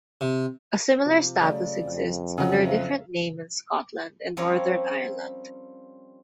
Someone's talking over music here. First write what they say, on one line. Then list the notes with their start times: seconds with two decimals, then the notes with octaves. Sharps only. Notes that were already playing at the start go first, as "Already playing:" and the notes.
A similar status exists under a different name in Scotland and Northern Ireland.
0.21 C3
1.06 C3 F3
1.41 C#3 F#3 A3 D5
1.85 F2
2.38 C#3 F#3 F#5 G#5
2.67 C5 E5 F5
4.37 F3 G3 C4 C#4 A#4 C#5